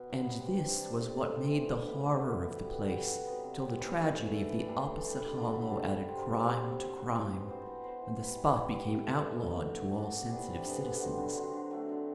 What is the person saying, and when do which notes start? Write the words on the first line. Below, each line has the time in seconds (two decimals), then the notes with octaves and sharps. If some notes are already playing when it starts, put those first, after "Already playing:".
And this was what made the horror of the place till the tragedy of the opposite hollow added crime to crime, and the spot became outlawed to all sensitive citizens.
Already playing: B2
0.10 F#3 B3 F#4
0.27 C3
0.45 G3 D4
0.63 C3
0.80 G3 D4
0.98 A2
1.16 E3 A3 C4
1.33 A2
1.51 E3 A3 C4
1.68 B2
1.86 A3 E4 B4
2.03 B2
2.21 A3 E4 B4
2.38 B2
2.56 G3 B3 F#4
2.73 B2
2.92 G3 B3 F#4
3.09 C3
3.27 F#3 B3
3.44 C3
3.62 F#3 B3
3.79 E3
3.97 A3 D4
4.15 E3
4.32 A3 D4
4.50 E3
4.67 G3 D4 A4
4.85 E3
5.02 G3 D4 A4
5.20 G3
5.37 D4 F#4
5.55 G3
5.73 D4 F#4
5.90 C3
6.08 G3 C4
6.26 C3
6.43 G3 C4
6.60 F#3
6.78 C4 G4
6.96 F#3
7.13 C4 G4
7.31 E3
7.49 B3 F#4 C5
7.66 E3
7.84 B3 F#4 C5
8.02 E3
8.19 G3 B3 E4
8.36 E3
8.54 G3 B3 E4
8.72 E3
8.90 A3 E4
9.07 E3
9.25 A3 E4
9.42 A3
9.60 D4 F#4
9.78 A3
9.95 D4 F#4
10.12 C3
10.30 E3 B3 D4
10.48 C3
10.65 E3 B3 D4
10.83 D3
11.01 F#3 C4 F#4
11.18 D3
11.36 F#3 C4 F#4
11.53 D3
11.71 F#3 A3
11.89 D3